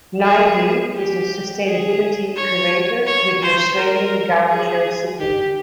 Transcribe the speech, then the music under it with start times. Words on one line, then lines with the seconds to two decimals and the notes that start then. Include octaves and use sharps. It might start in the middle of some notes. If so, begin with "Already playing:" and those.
Naidoo is the sustainability curator with the Australian Garden Show Sydney.
0.24 G#4
0.95 G4
1.66 G#4
2.36 C#5
3.07 C#5
3.42 C5
3.77 A#4
4.48 G#4
5.19 G4